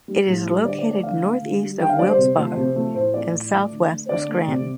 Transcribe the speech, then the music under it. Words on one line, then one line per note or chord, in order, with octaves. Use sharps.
It is located northeast of Wilkes Barre and southwest of Scranton.
G3
A2
G3
D3 D5
D5
A3
D5
D3 F5
A3
D3
G3
D3 G5
F5
G3 D5
C5
C3
F3 A3
C3
F3 A3
A2 C5
F3 A3 D5
A2
F3 A3
D3
A3
D3 D5
A3
C3